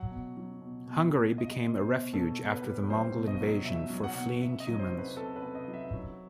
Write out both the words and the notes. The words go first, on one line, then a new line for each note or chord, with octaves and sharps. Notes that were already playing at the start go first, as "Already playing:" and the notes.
Hungary became a refuge after the Mongol invasions for fleeing Cumans.
Already playing: F#3 F#5
B2
F#3
B2
B2
B2
B2 D#5
B2
C5
B2
B2 A4
B2
B4
G3
B4
F#3 C5
B2
D#5
F#3
B2 E5
F#3
F#5
B2
C3 E5
D#5
F#3
C5
C3
B4
C3 A4
B4
C3
D#5
F#3
E5
F#3